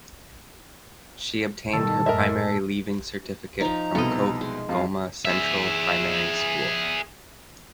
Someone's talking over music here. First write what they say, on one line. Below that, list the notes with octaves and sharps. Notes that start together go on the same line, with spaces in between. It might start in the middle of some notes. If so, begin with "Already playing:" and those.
She obtained her Primary Leaving Certificate from Koch Goma Central Primary School.
B2 D#3 G3 A4
F#2 A2 G#3 A#4 D#5 E5
F3 D#4 A#5
C2 B2 A4 D#5
G#3
F2 F5
G#4 E5